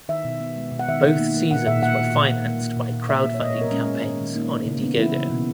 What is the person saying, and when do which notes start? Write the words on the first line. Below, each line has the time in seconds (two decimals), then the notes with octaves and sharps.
Both seasons were financed by crowdfunding campaigns on Indiegogo.
0.09 D#3 E5
0.24 B2
0.40 B3
0.56 G#3
0.72 B2
0.79 F#5
0.88 D#3 E5
1.03 D#3
1.19 A#3
1.36 A#3
1.51 A#2 F#5
1.67 A#2 E5
1.82 A#3 F#5
1.98 A#3
2.14 A#2
2.30 A#2
2.46 A#3
2.61 A#3
2.77 A#2
2.92 A#2
3.09 A#3 E5
3.25 A#3
3.34 C#5
3.41 A#2 D#5
3.51 C#5
3.56 B3
3.61 A#4
3.71 G#3 C#4
3.87 A#2
4.04 D#3
4.20 D#3
4.35 A#3 D#4
4.51 A#3
4.66 C#3
4.82 B3
4.98 E3 E4
5.14 C#3
5.30 B2